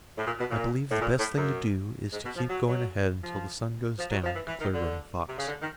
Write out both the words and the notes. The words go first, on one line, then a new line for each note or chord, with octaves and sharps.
"I believe the best thing to do is to keep going ahead until the sun goes down," declared Running Fox.
A2
A#2
B2
A#2
A2
A#2
A2
F#2
G#2
B2
F3
F#3
F#3
F3
F3
F#3
F3
E3
E3
D#3
D3
C3
C#3
D3
D#3